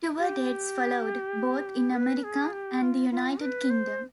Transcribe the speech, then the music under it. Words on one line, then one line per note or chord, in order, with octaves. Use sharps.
Tour dates followed, both in America and the United Kingdom.
G4
B4
G#4
G4
F4
F4
B4
C5